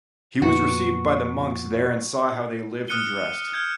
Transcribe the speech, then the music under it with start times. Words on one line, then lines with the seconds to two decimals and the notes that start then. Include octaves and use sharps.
He was received by the monks there and saw how they lived and dressed.
0.42 F2 A#2 B3 F#4
2.88 D#6 F6 F#6 C#7 D#7 G7
3.53 F6 G6 G#6